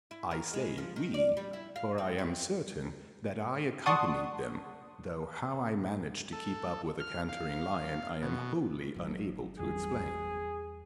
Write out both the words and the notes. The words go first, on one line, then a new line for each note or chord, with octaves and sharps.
I say 'we,' for I am certain that I accompanied them though how I managed to keep up with a cantering lion I am wholly unable to explain.
E4
A#4
G#3
F3
D#3
D5
G3
E4
F5
C4
C4
D5 F#5 A5 C6 C#6 D#6
A4
F6
F5
B2
G1 F#3
E2 G3 G#4